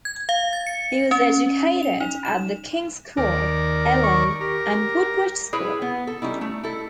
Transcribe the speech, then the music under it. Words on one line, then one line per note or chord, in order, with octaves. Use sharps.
He was educated at The King's School, Ely, and Woodbridge School.
G#6
F5
A6
C#7
C#4
F7
D#4
E7
D#2 A#4 D5
C#6
G4 A#4
E4 G#4 B4 C#5
B3
A4
G3 C#4 D#4 E4
A3
E4 A4